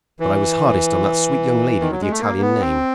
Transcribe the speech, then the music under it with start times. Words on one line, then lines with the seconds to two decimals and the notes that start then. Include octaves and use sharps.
But I was hardest on that sweet young lady with the Italian name.
0.20 E3
1.81 D#3
1.91 F#3
2.01 G#3
2.10 A3
2.20 A#3
2.41 B3
2.60 C4